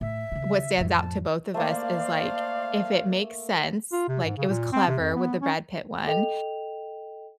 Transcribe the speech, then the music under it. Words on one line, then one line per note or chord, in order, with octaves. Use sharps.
what stands out to both of us is like, if it makes sense, like, it was clever with the Brad Pitt one,
A2 E5
D#2 C#3
F2 A2 E5
A5
A3 A#3 C5 D5 F5
F4
C3
G#2
C#3
A#2
C4
C3
F2
B3
C#4
A4 D#5 G5 F7